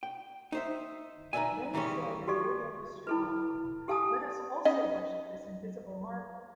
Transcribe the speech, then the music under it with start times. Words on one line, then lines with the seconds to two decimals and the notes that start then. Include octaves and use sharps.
Then said Ithuriel the strong; let Us also worship this invisible marvel!
0.03 G5
0.52 D#4 C5 E5
1.33 D#4 B4 C5 D5 E5 G#5
1.74 D#3 E3 G3 G#3 C#4
2.27 F#4 G4 A4 D5 C#6
3.07 E4 A4 B4
3.88 G4 A4 F5 G#5 A5 D#6
4.65 C#4 D#4 D#5